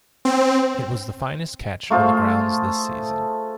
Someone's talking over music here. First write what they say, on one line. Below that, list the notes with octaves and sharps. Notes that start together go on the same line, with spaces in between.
It was the finest catch on the grounds this season.
C4
A3 F4 G#4 C5